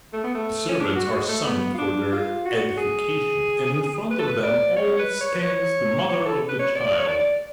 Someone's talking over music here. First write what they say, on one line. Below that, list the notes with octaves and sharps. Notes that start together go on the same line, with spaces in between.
The servants are summoned for their edification, and in front of them all stands the mother of the child.
A3
B3
A3
C#4
D4
F#4
G#3
A3
B3
F4
D4
F4
F#4
G#4
B4
A4
B4
D5
C#5
B4
C#5
B4
C#5
C#5
A4
B4
C#5
D5
C#5
D5